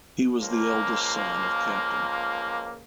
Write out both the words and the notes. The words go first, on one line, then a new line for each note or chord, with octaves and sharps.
He was the eldest son of Capt.
C#2 F3 A#3